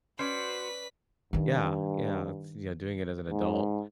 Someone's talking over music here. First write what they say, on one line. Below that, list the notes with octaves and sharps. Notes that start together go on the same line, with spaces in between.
Yeah. Yeah, it's you know, doing it as an adult,
C#4 F#4 B4 C5 D5 B6
G2 D#3 D#4
G#2